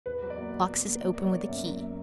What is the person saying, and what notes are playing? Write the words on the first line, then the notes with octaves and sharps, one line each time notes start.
Boxes open with a key.
E2 B4
F#3
D5
A#3
B2
B2
A#3
B2 D5
B2 C#5
D5
A#3
F#2 E5
A#3